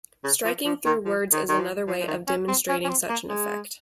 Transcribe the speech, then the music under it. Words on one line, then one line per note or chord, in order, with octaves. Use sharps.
Striking through words is another way of demonstrating such an effect.
C#3
F3
F3
D#3
F3
D#3
D#3
F3
F3
F3
D#3
C#4
C4
C#4
C#4
C4
A#3
G#3